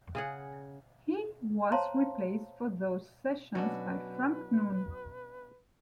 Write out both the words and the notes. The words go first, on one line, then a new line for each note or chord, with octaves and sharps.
He was replaced for those sessions by Frank Noon.
C#3 G#4 F#5
C5 C#5 F5 A5 A#5 C6
B2 F#3 C#4 D4 F#4 B4